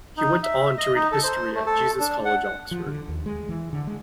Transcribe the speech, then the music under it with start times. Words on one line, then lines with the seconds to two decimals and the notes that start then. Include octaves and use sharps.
He went on to read history at Jesus College, Oxford.
0.17 D#4
0.43 E5
0.78 D#5
0.95 D#4
1.12 A4
1.24 C5
1.55 A3
1.66 A4
2.00 D4
2.25 F#5
2.71 F3
2.86 D3
3.08 D#2
3.26 G#3
3.49 E3
3.73 D3
3.87 G#3